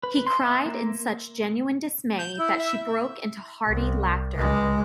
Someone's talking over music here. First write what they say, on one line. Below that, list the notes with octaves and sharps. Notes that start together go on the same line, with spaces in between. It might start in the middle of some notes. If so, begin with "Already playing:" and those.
He cried in such genuine dismay that she broke into hearty laughter.
B4
C6
E5
A#3
G6
E4
E5
C2
C#2 G#3